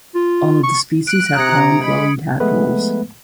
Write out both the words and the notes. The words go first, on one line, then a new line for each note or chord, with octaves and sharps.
All of the species have pond-dwelling tadpoles.
F4
C#6
F#6 D7
C3 A#5 D#6 G#6 C#7
G#3 B5
F3 G#3 A3 B3 B4